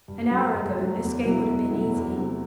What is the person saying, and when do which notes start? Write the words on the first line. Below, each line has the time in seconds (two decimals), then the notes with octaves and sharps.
An hour ago escape would have been easy.
0.08 G2
0.31 F#3 A3
0.54 G2
0.77 F#3 A3
1.01 E2
1.23 B2 F#3 B3 E4
1.47 E2
1.70 B2 F#3 B3 E4
1.93 E2
2.16 C3 F#3 A3